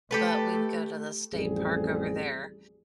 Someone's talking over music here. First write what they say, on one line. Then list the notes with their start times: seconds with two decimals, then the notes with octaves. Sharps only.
but we would go to the state park over there,
0.11 A3 G4 A4 B4
1.32 A1 F2 G3 G#4